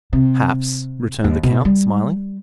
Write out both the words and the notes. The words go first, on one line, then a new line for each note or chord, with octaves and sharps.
"Perhaps," returned the count, smiling.
C3
D#2
B2
G3